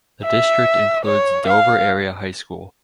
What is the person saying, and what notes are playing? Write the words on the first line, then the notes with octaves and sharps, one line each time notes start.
The District includes Dover Area High School.
E5
C#5
F5